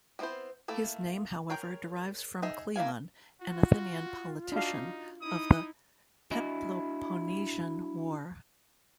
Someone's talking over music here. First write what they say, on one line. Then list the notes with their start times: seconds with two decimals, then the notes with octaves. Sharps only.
His name however derives from Cleon, an Athenian politician of the Peloponnesian War.
0.19 G3 B3 C4 E4 C5
0.68 A3 A#3 E4 A4
1.50 G#4 A#4 C#5 G5
2.42 D#4 G#4 E5
2.76 A#3 E4 F5 G#5
3.41 F4 F#4
4.52 D4 D#4 F#4 F5
5.21 D#4 E4 D#6
6.31 D4 E4 F#4 D#5 G#5